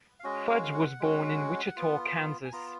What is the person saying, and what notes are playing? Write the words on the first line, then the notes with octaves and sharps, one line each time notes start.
Fudge was born in Wichita, Kansas.
F5
G#3 C#4 F#4 D#5
F5
F5
F#5
G#3 C#4 F#4
B3 F4
G#5
B3 F4 A#5